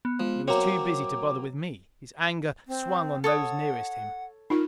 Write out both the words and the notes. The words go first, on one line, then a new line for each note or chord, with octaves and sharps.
But he was too busy to bother with me; his anger swung on those nearest him.
B3
F3 G#3
F#3 A#3 C4 C#5 A#5 D6
C4
A4 C#5 F#5 D#6
D#4 F4 A#4 B5